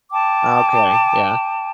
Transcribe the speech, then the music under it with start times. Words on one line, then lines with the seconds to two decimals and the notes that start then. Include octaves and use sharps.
Okay. Yeah.
0.11 G5 A5 D6